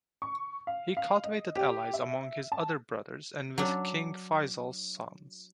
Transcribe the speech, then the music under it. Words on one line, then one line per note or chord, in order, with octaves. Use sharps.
He cultivated allies among his other brothers and with King Faisal's sons.
C#6
F5
F5
D#5
G4
E5
A5
F#3 D4